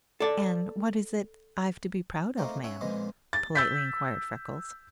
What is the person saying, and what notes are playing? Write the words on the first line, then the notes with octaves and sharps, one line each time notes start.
"And what is it I've to be proud of, ma'am?" politely inquired Freckles.
A4 D5
A3 A#3 C4 D#4 A#4
C#4 C#5 E5 F#5
F2 A#2 G#3 B3 D#5
A6
E6 G6 B6